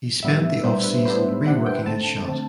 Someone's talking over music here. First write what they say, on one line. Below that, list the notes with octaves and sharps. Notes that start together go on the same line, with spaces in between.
He spent the offseason reworking his shot.
A2 G3 B3 D4 E5
A2 G3 B3 D4 C5
B4
A2 G3 B3 D4 C5
A2 G3 B3 D4 F#5
G5
D3 A3 C4 A5
D3 A3 C4